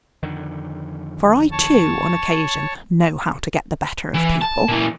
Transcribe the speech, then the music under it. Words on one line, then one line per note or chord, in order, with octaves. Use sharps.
For I, too, on occasion know how to get the better of people.
F2 D3 D#3
C#5 A5
E3
A5
A#2 E3